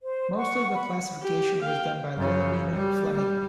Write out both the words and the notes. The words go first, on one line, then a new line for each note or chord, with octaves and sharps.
Most of the classification was done by Williamina Fleming.
C5
F#5 C#6
F#5 B5
G4
F5 G5
F#2 C#3
G3
G3